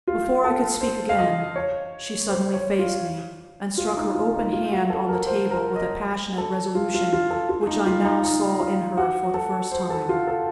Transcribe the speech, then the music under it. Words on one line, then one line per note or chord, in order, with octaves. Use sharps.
Before I could speak again, she suddenly faced me, and struck her open hand on the table with a passionate resolution which I now saw in her for the first time.
F4
A4
C5
F5
D#5
C#5
C5
C#5
F4
F4
D#4
F4
D#4
F4
F#4
A4
A#4
C5
A#4
D#5
A4
F4
F4
F4
A4
F4
D#4
F4
D#4
D#4
F4
F#4
A4
C5
A4
F4
A4